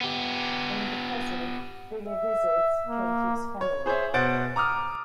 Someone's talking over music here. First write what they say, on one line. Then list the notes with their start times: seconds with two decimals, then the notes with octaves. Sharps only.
In the present, Billy visits Katie's family.
0.01 B3 G4
2.09 E5
2.87 A#3
3.61 C#5
3.86 G#4 C5 C#5 E5
4.14 B2 C5 F#5 A6 D7
4.56 A#5 D6 D#6 F6